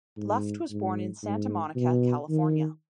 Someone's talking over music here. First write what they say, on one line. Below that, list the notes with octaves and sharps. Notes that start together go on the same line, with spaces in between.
Luft was born in Santa Monica, California.
G#2
G#2
G#2
B2
D#3